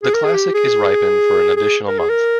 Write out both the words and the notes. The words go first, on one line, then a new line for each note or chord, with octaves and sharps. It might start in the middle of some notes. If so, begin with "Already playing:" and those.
The 'Classic' is ripened for an additional month.
G#4
A#4
G#4
G4
G#4
G#4
A#4
G#4
A#4